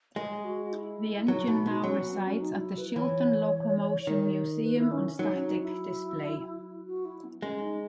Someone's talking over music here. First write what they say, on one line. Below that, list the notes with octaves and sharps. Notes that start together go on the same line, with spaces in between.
The engine now resides at the Shildon Locomotion Museum on static display.
G#3 G#4
F#4
F#4
E4
F#3 D#4
E4
B2 D#4
B2 D#4
F#3 C#4
B3
B3
C#4
D#4
D#4
E4
B4
E3 C#5
D#3
B4
E4
C#4
F#3 D#4
C#4
D#4
E4
F#4
E4
B3
G#3 C#4
D#4